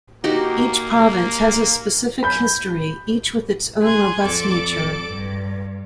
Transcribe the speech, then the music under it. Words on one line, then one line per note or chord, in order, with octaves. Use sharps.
Each province has a specific history, each with its own robust nature.
A#3 D#4 F#4 G4
B5 G6
G#4 C6 F#6 G#6
F2 A4 D5 D6
G2